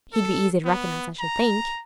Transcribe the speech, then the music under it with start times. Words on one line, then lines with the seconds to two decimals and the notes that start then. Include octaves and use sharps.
He'd be easy to recognise, I should think.'
0.13 A4
0.65 B3
1.19 A#5